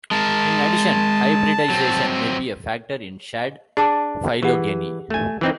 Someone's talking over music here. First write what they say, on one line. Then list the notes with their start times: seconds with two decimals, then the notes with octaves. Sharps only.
In addition, hybridization may be a factor in shad phylogeny.
0.11 G#3 A#4 A5
1.70 F#3 C4
3.77 D4 G#4 A5 D6
4.43 E3 G4 G#4 F#5
5.10 A3 G#5
5.41 E3 C4 D#4